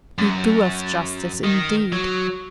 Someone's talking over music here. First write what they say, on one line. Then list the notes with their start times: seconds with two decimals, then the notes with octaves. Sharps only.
You do us justice, indeed.
0.18 F#2
1.44 D#3
1.92 F#3